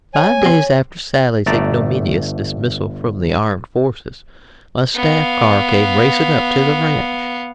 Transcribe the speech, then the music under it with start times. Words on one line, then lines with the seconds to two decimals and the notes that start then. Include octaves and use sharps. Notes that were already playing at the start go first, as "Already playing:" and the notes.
Five days after Sally's ignominious dismissal from the armed forces, a staff car came racing up to the ranch.
0.14 C#5 G#5
0.43 C4 G4
1.46 G1 A3 D5 A5 A#5
4.95 B3 F5